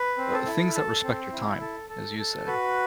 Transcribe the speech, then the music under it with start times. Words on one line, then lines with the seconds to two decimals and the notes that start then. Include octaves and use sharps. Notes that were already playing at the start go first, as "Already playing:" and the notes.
uh, things that respect your time, as you said
Already playing: B4
0.18 C4
0.33 A4
0.46 E4
0.75 A4
1.03 C4
1.32 E4
1.61 A4
1.90 A4
2.19 A4
2.47 F#4 B4